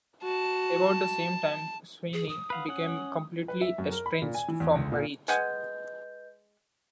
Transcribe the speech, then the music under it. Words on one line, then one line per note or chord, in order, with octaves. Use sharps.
About the same time Swiney became completely estranged from Rich.
F#4 A5
G#4
D#6
B4 F5 F#5
C#4 F#5
B4
E5
F#2
A#4
B5
A#2
G#5
E3
E2
C#2
A#2
G#3 B4 D#5 F#5 G#5 G6